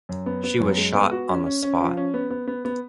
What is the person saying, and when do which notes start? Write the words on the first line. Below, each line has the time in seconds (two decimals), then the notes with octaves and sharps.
She was shot on the spot.
0.09 F#2
0.26 B3
0.44 B3
0.60 F#2
0.77 G#3
0.94 B3
1.11 F#4
1.29 C#4
1.46 C#4
1.63 C#4
1.80 F3
1.97 C#4
2.14 B3
2.30 B3
2.47 B3
2.65 B3